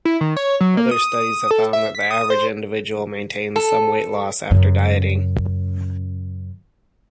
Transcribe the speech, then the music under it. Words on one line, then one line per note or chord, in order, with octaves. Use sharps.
Other studies have found that the average individual maintains some weight loss after dieting.
E4
D#3
C#5
F#3
A#3
D#6
A4
E5
B6
D#6
C5
A4
F#2 C#3